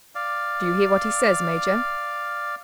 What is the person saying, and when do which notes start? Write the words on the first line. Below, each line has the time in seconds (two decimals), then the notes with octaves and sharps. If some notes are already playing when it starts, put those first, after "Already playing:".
"Do you hear what he says, major?"
0.15 D5 F5